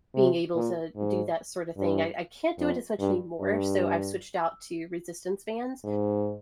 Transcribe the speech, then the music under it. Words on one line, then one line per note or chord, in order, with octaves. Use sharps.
being able to do that sort of thing, I I can't do it as much anymore, so I've switched out to resistance bands
C3
A#2
G#2
G2
F2
G2
G2
G#2